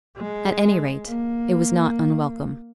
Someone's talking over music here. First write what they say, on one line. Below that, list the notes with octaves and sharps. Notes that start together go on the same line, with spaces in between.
At any rate, it was not unwelcome.
G#3
A#3